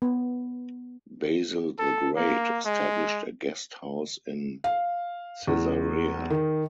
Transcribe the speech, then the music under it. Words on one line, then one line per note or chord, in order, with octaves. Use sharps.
Basil the Great established a guest house in Caesarea.
B3
A4
A#3
G#3
F5
E2
D#3